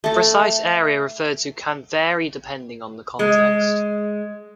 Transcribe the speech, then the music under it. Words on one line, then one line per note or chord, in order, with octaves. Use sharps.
The precise area referred to can vary depending on the context.
A3 A4
G#3